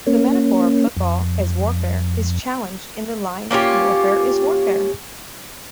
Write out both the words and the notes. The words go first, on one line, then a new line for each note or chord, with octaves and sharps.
The metaphor of football as warfare is challenged in the line warfare is warfare.
A#3 C#4
F2
A#3 C#4 F4 G4